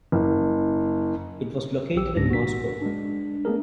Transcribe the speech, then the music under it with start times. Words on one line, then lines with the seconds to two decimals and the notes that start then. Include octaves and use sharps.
It was located in Moscow.
0.12 F#1
1.96 A#1 F#3 G4 E6
2.16 C#2 G#2 D4 A#6
2.31 F#4 B6
2.82 G#3 D4
3.45 A3 B3 D4 G#4 A#4